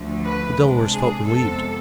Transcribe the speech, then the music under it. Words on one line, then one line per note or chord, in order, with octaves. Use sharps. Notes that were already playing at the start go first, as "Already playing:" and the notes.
The Delawares felt relieved.
Already playing: D2 D3 F3 A3
B4
C3 G#3 D4
G#4
F2 C3 G#3 B3 A4